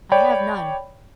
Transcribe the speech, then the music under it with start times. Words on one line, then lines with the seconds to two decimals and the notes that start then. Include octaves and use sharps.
"I have none."
0.12 C#5 D5 G5 B5